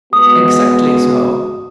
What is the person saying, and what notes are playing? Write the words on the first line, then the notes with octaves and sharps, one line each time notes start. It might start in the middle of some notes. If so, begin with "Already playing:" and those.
"Exactly so."
G#3 B3 F#4 D#6